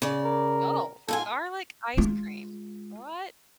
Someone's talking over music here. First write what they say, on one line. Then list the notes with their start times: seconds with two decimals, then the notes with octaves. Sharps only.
Oh, garlic ice cream, what?
0.02 C#3 D5
0.25 A#4
1.08 G#2 F4 A4 G#5
1.97 G#3 F4